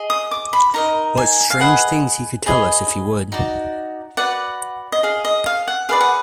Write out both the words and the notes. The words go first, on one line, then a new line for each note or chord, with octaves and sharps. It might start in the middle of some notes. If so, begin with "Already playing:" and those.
What strange things he could tell us if he would!
Already playing: G#4 D#5
D#6
D6
B5
D#4 A#4 D#5 A#5
G#5
F5
G#4 B4 D#5 F#5
G#4 B4 D#5
D#4 F#4 D5
F#4 B4 D5 F#5
D#5
G#4 D#5 F5
D#5
F5
F#5
G#4 B4 D5 F5
F#5